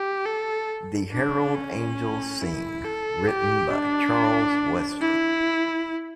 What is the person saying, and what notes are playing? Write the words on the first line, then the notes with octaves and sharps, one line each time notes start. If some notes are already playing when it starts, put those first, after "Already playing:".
The Herald Angels Sing written by Charles Wesley.
Already playing: G4
A4
D4
C#4
E4
A4
G4
D4
E4